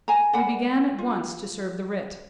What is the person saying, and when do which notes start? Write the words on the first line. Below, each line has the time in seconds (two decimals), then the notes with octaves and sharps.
We began at once to serve the writ.
0.08 G#5 A#5
0.33 D5 F#5 B5
0.99 F4